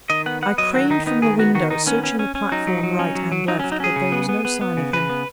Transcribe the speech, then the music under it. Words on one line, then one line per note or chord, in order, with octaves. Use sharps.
I craned from the window, searching the platform right and left. But there was no sign of him.
D#3 D#5
B3 F#5
B3 F#5
F#3 D#5
D#3 F#4
D#3 D#4
B3 D#4
D#3 G#4
B3 F#4
D#3 F#4
D#3 D#4
B3 C#4
C#4
C#4
C#4
F#3 D#4
F#3
F#3
C#4
F#3
F#3
F#3 D#4
C#4
F#3
D#4
C#4 G#4
C#3
B3
B3
B3
B3
C#3
C#3 B4
B3